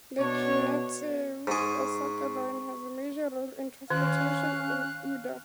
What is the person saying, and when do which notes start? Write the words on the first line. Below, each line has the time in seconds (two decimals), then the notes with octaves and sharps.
The Kintetsu Osaka Line has a major role in transportation in Uda.
0.20 B2 D4 C#5
1.47 G#2 G#4 C#6
3.90 D#3 C#4 F5 F#6